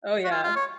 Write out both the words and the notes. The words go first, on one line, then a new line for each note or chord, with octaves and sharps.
Oh, yeah,
F#4
F4
F4
C#5